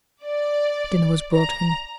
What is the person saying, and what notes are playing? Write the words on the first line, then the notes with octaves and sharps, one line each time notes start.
Dinner was brought him.
D5
A#5